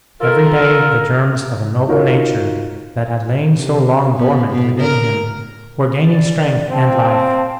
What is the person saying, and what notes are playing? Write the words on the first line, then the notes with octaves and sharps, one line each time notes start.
Every day the germs of a noble nature that had lain so long dormant within him were gaining strength and life.
F4 A4 A#4
D#4 F4 F#4 A#4 C#5
C3
B3
B2
A#4
D5
C4 F5 G5 A5